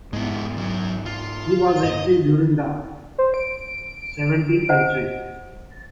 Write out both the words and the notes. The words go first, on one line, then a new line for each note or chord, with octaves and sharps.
He was active during the seventeenth century.
G#2 G#3 B3 E4
F#3 C#4
F4
G2 A#2 D#5
C5
D7
C5 D#5 F#5